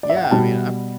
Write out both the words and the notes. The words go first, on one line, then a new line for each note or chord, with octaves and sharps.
Yeah, I mean, I'm
D5
E5
F#5
G5
B2 G3 A5